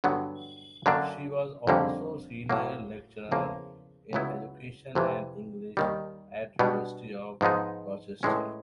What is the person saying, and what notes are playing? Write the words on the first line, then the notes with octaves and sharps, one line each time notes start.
She was also Senior Lecturer In Education and English at University of Rochester.
G2 D3 F#3 B3
F#2 D3 F#3 A#3 D4
F2 D3 G3 A#3 C#4
A2 F#3 A#3
E2 C#3 F3 A#3
C#2 C#3 F#3 B3 E4
F2 C3 E3
D#2 D#3 G3
B2 G3 B3 D4
G#2 F3 G#3 B3 D#4
A2 E3 G#3 C#4